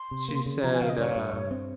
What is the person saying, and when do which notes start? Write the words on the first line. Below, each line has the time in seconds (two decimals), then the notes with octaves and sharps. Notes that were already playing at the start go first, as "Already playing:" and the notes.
she said, uh,
Already playing: C6
0.11 C3
0.28 A#3
0.46 C#3
0.63 F3 A#5
0.73 G#5
0.81 C#3 F5
0.89 D#5
0.98 G2 C#5
1.16 G2
1.33 G2
1.51 C4